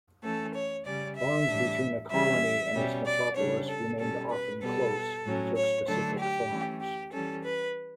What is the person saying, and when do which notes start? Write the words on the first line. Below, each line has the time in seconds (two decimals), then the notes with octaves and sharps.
Bonds between a colony and its metropolis remained often close, and took specific forms.
0.23 E3 A3 C#4 A4
0.54 C#5
0.85 C#3 G3 C#4 D5
1.17 E5
1.49 A2 E3 G3 D4
2.11 E3 G3 C#4 E5
2.74 B2 G3 C#4
3.05 D5
3.36 C#3 G3 D4 C#5
3.68 A4
3.99 B2 G3 C#4 A4
4.30 B4
4.62 B2 G3 B3 A4
5.25 A2 F#3 C#4
5.56 C#5
5.87 D3 F#3 A3 D4 A4
6.19 G4
6.51 E3 A3 C#4
6.81 G4
7.12 E3 G3 C#4 A4
7.44 B4